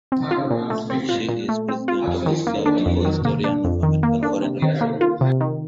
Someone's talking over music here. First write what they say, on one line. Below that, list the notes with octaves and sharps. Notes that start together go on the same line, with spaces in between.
She is president of the Society for Historians of American Foreign Relations.
C4
F4
A#2
A3
C4
F4
A#2
A3
C4
F4
F2
D#3
A#3
D4
F2
D#3
A#3
D4
F2
D#3
A#3
D4
C3
D#3
A#3
F4
C3
D#3